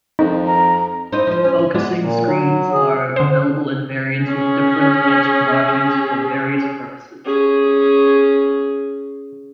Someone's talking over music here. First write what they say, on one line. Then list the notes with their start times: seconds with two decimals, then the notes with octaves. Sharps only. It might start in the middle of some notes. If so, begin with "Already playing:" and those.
Often, focusing screens are available in variants with different etched markings for various purposes.
0.19 F2 D#4
0.47 A#5
1.12 D#4 E4 C5
1.27 F3 C5
1.44 C#4
1.58 C#4
1.74 G#3 B3 D4
2.00 A#2
2.24 F#3
2.72 G#4
3.16 D3 C5
4.24 C#4 G#4
7.25 C#4 G#4